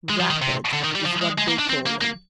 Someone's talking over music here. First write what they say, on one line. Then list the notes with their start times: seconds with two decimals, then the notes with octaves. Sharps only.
"Rapid" is what they call him.
0.10 G#3
0.20 F3
0.30 D#3
0.42 C3
0.73 D3
0.84 D#3
0.95 G3
1.05 F3
1.21 G#3
1.38 G#3
1.48 A#3
1.59 D4
1.70 C4
1.86 A#3
2.01 A#3